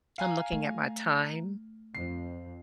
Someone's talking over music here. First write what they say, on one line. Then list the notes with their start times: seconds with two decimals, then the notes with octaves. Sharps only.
I'm looking at my time.
0.18 F5 G#5 A#5
0.52 A3
1.95 F2 C7